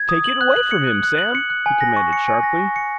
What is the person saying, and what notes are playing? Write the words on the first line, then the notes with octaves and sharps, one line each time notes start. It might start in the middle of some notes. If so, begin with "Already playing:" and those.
"Take it away from him, Sam!" he commanded sharply.
Already playing: G#6
D#6
F#7
F#6
F#7
C#7
F#6
F#6
F#7
C#7
F#6
G#5
A#6
C#6
C#7
G#5
A#6
C#6
C#7